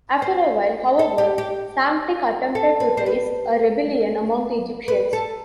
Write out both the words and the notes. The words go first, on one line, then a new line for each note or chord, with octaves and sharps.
After a while, however, Psamtik attempted to raise a rebellion among the Egyptians.
C5
A4
G4
G4
A4
B4
C5
B4
B4
A4